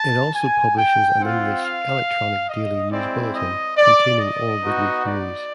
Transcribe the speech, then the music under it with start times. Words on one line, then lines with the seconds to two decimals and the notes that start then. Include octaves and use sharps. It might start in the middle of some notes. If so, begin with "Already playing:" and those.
It also publishes an English 'Electronic Daily News Bulletin' containing all the Greek news.
Already playing: A5
0.35 G#5
0.77 G5
1.20 C4 F4 F#5
1.63 F5
2.48 D#5
2.91 G#3 C4 E4 D5
3.33 D#5
3.77 D5
4.20 D#5
4.62 B3 D#4 F#4
5.05 D5